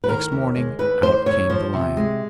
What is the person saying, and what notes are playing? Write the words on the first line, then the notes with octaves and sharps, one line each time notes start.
Next morning out came the lion.
B4
D#3 A#4
D#2
G#3
D#2 B4
D#2 C5
D#2 C#5
F3 C5
C3
G#3